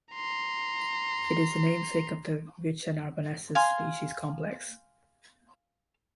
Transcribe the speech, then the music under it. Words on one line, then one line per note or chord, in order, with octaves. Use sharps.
It is the namesake of the "Vicia narbonensis" species complex.
A#5 C6
F5 G#5 C6